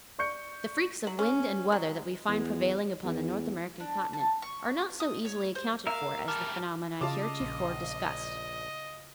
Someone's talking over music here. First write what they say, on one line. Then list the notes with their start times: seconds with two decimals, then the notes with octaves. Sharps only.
The freaks of wind and weather that we find prevailing upon the North American continent are not so easily accounted for as the phenomena heretofore discussed.
0.19 D5 C#6 G6 C#7
1.07 F#3
1.19 C#4
1.72 F#3
2.28 E2
3.04 E2
3.80 D4
4.13 A5
4.42 C#6
5.00 D#6
5.25 C#5
5.55 C5
5.87 A#4 E5 F5
6.28 G#2 G3 A5 D6 F6
7.01 C#3 F4 D#5 A5 D6
7.40 A#1